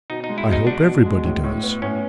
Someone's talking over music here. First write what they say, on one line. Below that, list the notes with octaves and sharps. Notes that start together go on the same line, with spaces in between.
'I hope everybody does.'
B2 D#4
D#4
G#3
E4
B2 D#4
B2 D4
B2
G#3
A2
A2
B3
A2 C#4